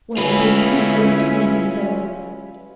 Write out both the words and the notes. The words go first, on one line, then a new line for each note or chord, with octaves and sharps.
Well, it was useless to reason further.
G#3 C#4 E4 F4 B4